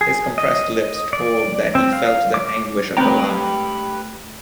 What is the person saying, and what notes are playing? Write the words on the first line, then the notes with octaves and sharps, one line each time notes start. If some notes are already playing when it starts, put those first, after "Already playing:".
His compressed lips told that he felt the anguish of the laugh.
G#4
D#5
D5
C4
F5
D6
A3 C4 G4 B4 G5 A#5